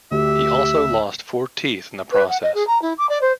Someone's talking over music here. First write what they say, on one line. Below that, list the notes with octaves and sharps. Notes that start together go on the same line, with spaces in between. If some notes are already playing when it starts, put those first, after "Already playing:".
He also lost four teeth in the process.
D2 G4 E5
B4
F#5
D#5
G#4
A#5
E4
D6
D5
C5